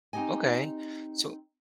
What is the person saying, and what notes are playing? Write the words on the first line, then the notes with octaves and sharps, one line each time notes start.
Okay. So
C4 D#4 G4 D#5 G#5